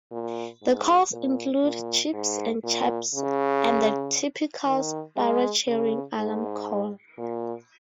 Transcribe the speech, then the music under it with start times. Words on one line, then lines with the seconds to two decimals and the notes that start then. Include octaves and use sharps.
The calls include cheeps and chirps, and the typical sparrow churring alarm call.
0.12 A#2
0.62 G#2
1.12 A#2
1.63 A#2
2.14 G#2
2.64 A#2
3.15 C#3
4.66 D#3
5.17 G#3
5.67 C#3
6.17 G#2
7.18 A#2